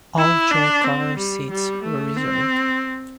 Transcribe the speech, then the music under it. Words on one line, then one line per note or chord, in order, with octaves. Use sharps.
All chair car seats were reserved.
E4
D4
C4
G3
G3
A3
C4